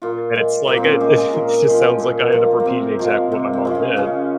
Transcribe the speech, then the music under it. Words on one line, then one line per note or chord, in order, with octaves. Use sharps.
And it's like it it just sounds like I ended up repeating exactly what my mom did.
A#2 F4
G#3
A#2 A#3
C4
C#4
G#3 G4
G#4
A#2 A#4
F3 G#3
A#2
F3 G#3
A#3
C3 C4
F3 G#3
C3
C4
F3 G#3
C#4
C#3 C#4